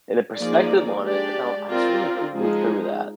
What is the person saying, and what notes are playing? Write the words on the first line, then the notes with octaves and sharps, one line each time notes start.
and a perspective on it, I I was really thinking through that,
F3 A#3 D#4 G#4 D5
G#3 D4 G4 D5
C4 F4 A#4 D5
F3 G#3 D#4 G#4